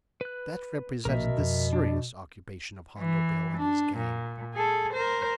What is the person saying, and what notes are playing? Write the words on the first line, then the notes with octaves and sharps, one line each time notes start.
That represented the serious occupation of Hondo Bill and his gang.
B4 F#6
A#1 B2 A#3 A#4 E5
F2
D4
E3
D4
A#2
G#4 A4
A#4 C5